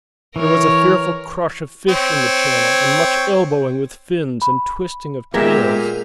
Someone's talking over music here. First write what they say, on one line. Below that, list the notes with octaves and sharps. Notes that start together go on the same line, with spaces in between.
There was a fearful crush of fish in the channel, and much elbowing with fins and twisting of tails.
E3 A#4 C#5
C4 C#5
B5
A#2 G#3 B3 G4 G#4 A#4 E5